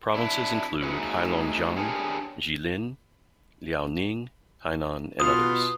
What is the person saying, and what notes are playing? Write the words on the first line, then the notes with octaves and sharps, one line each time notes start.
Provinces include Heilongjiang, Jilin, Liaoning, Hainan, and others.
D4 E4
A3 D#4 F#4 G#4 B4 C#5
D4 G4 G#4 A#4 C#5
B2 F4 D#6